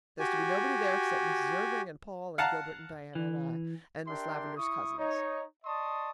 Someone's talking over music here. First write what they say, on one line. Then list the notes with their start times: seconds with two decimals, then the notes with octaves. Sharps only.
There's to be nobody there except Mrs. Irving and Paul and Gilbert and Diana and I, and Miss Lavendar's cousins.
0.20 F#4 G4 G#5
2.38 F5 F#5 A5 A#5
3.15 E3
4.08 D4 G4 A#4 E5 G5 C6
4.56 E4 C#6 D#6
4.98 D#4 C#5
5.65 D5 D#5 A5 C6 C#6 D#6